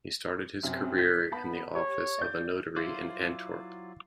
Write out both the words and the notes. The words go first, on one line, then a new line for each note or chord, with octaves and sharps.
He started his career in the office of a notary in Antwerp.
F#2 C3 C4 E5
G6 B6
B3 A5 B5
G4 C#5
D5 G6
F#3 E4 F4 C5 D5